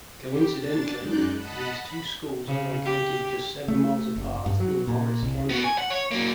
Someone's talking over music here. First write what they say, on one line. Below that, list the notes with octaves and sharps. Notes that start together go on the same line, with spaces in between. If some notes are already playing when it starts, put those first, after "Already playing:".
Coincidentally, these two schools are located just seven miles apart in Morris County.
G4
D4 A6
F#2 G#3 D#4 D5 F#6 G6
D#5 F#5 A5 B5
B5
C#3
G4
A3
F#1
G2
F#3
A#2
C2
B3 F#4
G#5
F#5
C#5
F#3 A#3